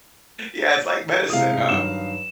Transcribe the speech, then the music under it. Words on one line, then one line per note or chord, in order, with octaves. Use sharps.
Yeah, it's like medicine, huh?
C3 G#3 E4 F5 D#6
G2 D#3 F#3 E7